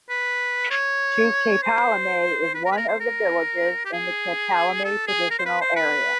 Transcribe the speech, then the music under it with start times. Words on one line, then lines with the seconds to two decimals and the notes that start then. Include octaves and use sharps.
To Kpalime is one of the villages in the Kpalime Traditional Area.
0.09 B4
0.70 C#5
1.62 C5
2.55 B4
2.66 A#4
2.72 B4
2.77 A#4
2.88 C5
3.00 A#4
3.85 G4
3.93 G#4
4.85 A4
5.07 G#4
5.30 A#4
5.39 C5
5.46 B4
5.61 C5
5.76 B4